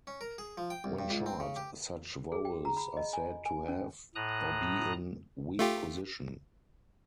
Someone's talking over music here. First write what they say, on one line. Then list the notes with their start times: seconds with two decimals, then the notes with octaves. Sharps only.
When short, such vowels are said to have, or be in, weak position.
0.07 C#4
0.21 A#4
0.38 G#4
0.57 F3
0.70 G5
0.84 C2
0.99 G2
1.10 C#2
1.26 C4
1.40 C#3
1.56 G4
2.32 G#4
2.45 G5
2.65 A#5
2.77 B5
2.97 D#5
3.13 G#5
3.46 G#5
3.68 C#4
4.15 A2 A#5 D#6 F#6
5.59 A3 F4 G4